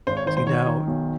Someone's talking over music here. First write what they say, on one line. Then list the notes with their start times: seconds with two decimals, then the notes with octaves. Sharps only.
see, now
0.07 G#1 C5
0.17 C#5
0.26 D#3 C5
0.37 C5
0.47 D#3 C#5
0.67 D#3
0.87 B1